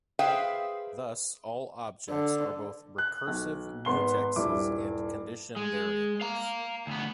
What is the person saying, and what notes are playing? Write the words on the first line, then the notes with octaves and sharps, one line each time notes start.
Thus all Objects are both recursive mutexes and condition variables.
G#4 B4 C5 E5 F5 G5
D3
F#6
B1
G#1 B3 C6 G7
D#1 G2 E4 D6
G#3
F5 A#5
D2 B3